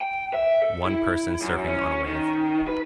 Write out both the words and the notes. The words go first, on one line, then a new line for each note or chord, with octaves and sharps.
One person surfing on a wave.
G5
E5
A4
E4
F#2
C#4
D#3
B4